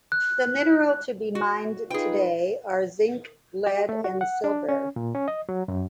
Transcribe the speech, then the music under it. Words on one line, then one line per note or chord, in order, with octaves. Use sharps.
The mineral to be mined today are: zinc, lead and silver.
F#6
F#4
D#4 F4 G#4 B4 G5
G4
A3
F#4
F#5
D4
C#4
A#2
C#4
D#5
F#3
F#2